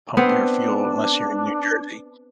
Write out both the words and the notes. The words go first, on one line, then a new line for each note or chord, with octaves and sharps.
pump your fuel, unless you're in New Jersey.
B3 C4 D4